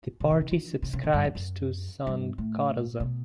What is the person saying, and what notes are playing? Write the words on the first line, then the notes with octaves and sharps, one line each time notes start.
The party subscribes to Sankarism.
C3
C3
C#3
D3
C#3
C#3
C3
G2
F2
F#2
G2
A2
B2